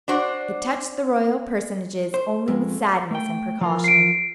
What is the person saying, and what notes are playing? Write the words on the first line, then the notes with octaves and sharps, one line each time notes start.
It touched the royal personages only with sadness and precaution.
D4 F#4 C5 D5
C5
F2 G#3 A3
A3 G5
F3 F4 A#4
C7 D7